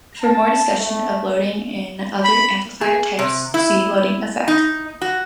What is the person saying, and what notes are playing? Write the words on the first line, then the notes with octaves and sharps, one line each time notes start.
For more discussion of loading in other amplifier types, see loading effect.
A5
A3
B5
G#4
C3
E4
D#4
F#4